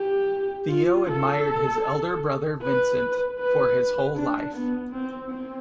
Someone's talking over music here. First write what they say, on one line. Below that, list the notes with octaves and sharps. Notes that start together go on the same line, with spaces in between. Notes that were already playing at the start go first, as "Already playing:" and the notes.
Theo admired his elder brother Vincent for his whole life.
Already playing: G4
F4
A4
B4
B4
D4
B3
C4
C4